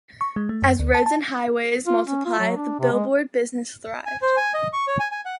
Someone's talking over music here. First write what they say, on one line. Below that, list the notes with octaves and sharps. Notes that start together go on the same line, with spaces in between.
As roads and highways multiplied, the billboard business thrived.
C#6
G#3
A3
F#2
D2
A5
A5
F4
C#4
F4
F#3
D4
C3
G#3
G#5
C5
G#5
D#5
C#6
C#5
G#5
G#5
F#5